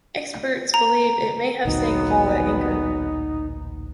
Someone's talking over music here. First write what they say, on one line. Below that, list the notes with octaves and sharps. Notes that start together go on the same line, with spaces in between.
Experts believe it may have sank while at anchor.
A#5
A1 D2 A#2 F#3 B3 D#4